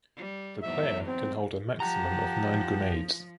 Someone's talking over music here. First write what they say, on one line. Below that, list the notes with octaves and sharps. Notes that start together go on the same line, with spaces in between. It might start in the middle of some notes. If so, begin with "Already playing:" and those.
The player can hold a maximum of nine grenades.
G3
E2 G#2 F#3 E5
C4
F3 G4 F#5 A5 A#5